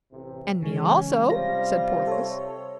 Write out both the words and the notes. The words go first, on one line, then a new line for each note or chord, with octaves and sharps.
"And me also," said Porthos.
A1 C3
C#3 E3 G#3 C#4
C3 G3 F4 A#6
A4 C#5